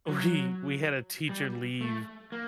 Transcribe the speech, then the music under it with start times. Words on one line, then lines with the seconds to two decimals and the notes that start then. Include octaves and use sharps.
We we had a teacher leave,
0.09 F#3
1.29 G3
1.81 A3
2.32 A#3